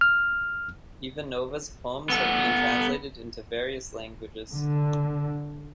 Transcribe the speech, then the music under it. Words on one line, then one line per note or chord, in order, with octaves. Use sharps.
Ivanova's poems have been translated into various languages.
F6
B3 A4
D3